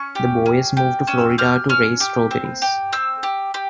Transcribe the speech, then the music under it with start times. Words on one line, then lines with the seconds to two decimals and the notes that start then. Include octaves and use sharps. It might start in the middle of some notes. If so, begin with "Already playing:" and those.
The Boyers move to Florida to raise strawberries.
Already playing: C#4 C#6
0.15 G4
0.46 C#4
0.77 G4
1.07 C#4 E6
1.38 G4 F6
1.69 C#4 F6
2.00 G4
2.31 C4
2.62 G4
2.92 C4 E6
3.23 G4
3.54 G4